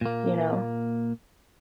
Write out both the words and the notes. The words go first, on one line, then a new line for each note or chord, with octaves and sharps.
you know?
A#2 A#3